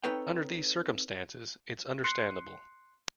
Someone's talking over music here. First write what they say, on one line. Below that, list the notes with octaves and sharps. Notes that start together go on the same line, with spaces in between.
Under these circumstances it's understandable.
C4 D#4 A4 B4 C#5 G5
C6 F#6 C7 C#7